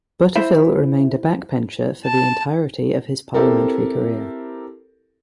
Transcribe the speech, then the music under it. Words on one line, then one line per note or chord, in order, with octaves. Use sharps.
Butterfill remained a backbencher for the entirety of his parliamentary career.
E4 C5 E5
A5
C4 E4 G4 A4 A#4